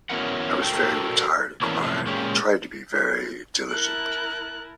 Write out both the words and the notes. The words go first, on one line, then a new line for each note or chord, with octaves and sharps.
I was very retired and quiet, and tried to be very diligent.
F#3 B3 C#4 E4 A#4 F#5
F#4 A4 A#4 C5 G5
E3 A#3 B3 C#4 D4
F#2 A2 C3 F3
A#2 G#3 C#4 F4 G4
E4 A#4 A5 F#6